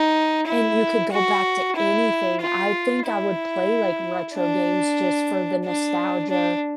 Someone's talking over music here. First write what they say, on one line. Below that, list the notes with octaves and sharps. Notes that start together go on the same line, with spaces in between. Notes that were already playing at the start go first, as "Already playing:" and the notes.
and you could go back to anything. I think I would play, like, retro games just for the nostalgia
Already playing: D#4
E4
F#4
E4
F4
E4
D4
D4
D4